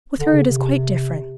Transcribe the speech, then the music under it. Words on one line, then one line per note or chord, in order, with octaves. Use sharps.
With her it is quite different.
D3
C#3
C3